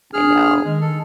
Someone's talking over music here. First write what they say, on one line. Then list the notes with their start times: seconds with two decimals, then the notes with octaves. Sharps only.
I know.
0.13 D4 G#4 F6
0.64 D#3 G#3
0.81 A4